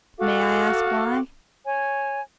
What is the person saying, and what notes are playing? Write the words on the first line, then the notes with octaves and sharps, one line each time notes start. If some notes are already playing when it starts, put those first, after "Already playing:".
"May I ask why?"
F#4 A4 F5 D6
C#5 G#5